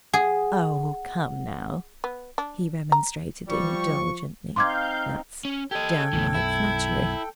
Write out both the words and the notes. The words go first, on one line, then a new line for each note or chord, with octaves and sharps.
"Oh, come now!" he remonstrated, indulgently--"that's downright flattery."
G#4 F#5
B3
D4
A#5
F3 G3 C#6
C4 D#4 F5 C6 D6 G6 G#6
C#4
G4 A4 D#5 G5 G#6
B1 F#2 E3 A3
E4